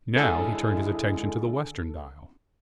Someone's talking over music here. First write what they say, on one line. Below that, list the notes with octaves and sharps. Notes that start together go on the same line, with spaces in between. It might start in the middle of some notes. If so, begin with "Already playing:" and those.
Now he turned his attention to the western dial.
D3 G#3 E4 G#4 A4